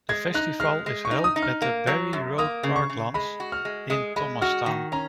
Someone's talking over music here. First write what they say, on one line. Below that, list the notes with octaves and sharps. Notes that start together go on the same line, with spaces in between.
The festival is held at the Barry Road parklands in Thomastown.
G#3 G#6
D#4 F#6
G#3 F6
G#3
C#6
D#4
D#6
D#4
F6
A#3
F#3
F#2
A#3 D#6
C#3
C#6
C#3
G#3 B5
F#4
F6
G#3
G#3 D#6
G#3 B5
F#4 F6
D#3
C#4 A#5